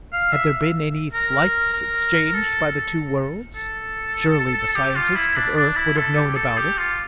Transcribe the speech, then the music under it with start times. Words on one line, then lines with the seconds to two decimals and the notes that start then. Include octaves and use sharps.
Had there been any flights exchanged by the two worlds, surely the scientists of Earth would have known about it.
0.13 F5
0.33 E5
1.14 A#4
1.73 A#4
2.34 A4
2.65 A4
3.55 A4
4.76 G4
4.95 F4
5.16 E4
5.36 D4
5.57 D4
5.76 E4
5.97 A4
6.17 G4
6.36 A4
6.58 G4
6.78 F4